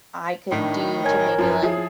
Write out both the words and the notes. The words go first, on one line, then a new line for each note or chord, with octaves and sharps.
I could do to maybe, like,
A2 D#3 D4
A#4 C#5 G#5 G#6
F#2 F3
F3 E4 G#4